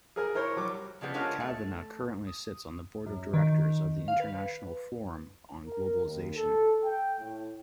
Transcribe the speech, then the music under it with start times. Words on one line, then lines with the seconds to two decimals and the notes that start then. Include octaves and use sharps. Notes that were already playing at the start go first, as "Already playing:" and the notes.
Cavanagh currently sits on the board of directors of the International Forum on Globalization.
0.16 G#4 A#4 G#5
0.35 E4 A#4 C5 C#5
0.56 F#3 G3 D6
1.01 C#3 F3 G3 B3
1.14 G#3 D4 F4 A#4 C#5 F#5
1.40 A3
2.27 D#6
3.06 F#2
3.34 D#3
4.08 F5
4.20 B4
5.65 A#4
6.04 D#2
6.35 A4
6.84 G5
7.19 A2